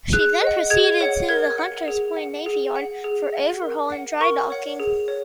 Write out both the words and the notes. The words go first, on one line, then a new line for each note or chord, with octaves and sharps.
She then proceeded to the Hunters Point Navy Yard for overhaul and drydocking.
G#4 F#6
D#5
F#5
G#4 G#6
C#5 F#5
A#4 G#6
F#5
G#4
F#5
G#4
F#5
G#4
F#5
A#4
F#5
A#4 C#6
C#5 F#5
G#4
C#5